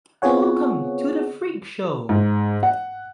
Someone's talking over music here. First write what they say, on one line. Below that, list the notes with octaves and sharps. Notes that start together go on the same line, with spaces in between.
Welcome - to the Freak Show!
B3 C4 F4 G#4 C#5 F#5
G#2
F#5